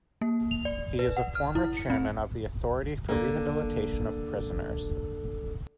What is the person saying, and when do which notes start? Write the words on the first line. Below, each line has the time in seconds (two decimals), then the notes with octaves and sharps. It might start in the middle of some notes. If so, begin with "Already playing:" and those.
He is a former Chairman of the Authority for Rehabilitation of Prisoners.
0.21 A#3
0.51 F7
0.65 D5
0.99 B4
1.17 F#5
1.35 F6
1.55 E4
1.77 C#7
1.90 C4
3.09 D3 A#3